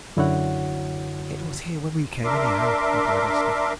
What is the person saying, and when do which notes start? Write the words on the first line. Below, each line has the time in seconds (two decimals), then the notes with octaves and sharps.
"It was here when we came, anyhow," replied Esther.
0.17 F#2 D3 E4 F#4 C#5 F#5
2.24 D4 A#4 E5 C6 D6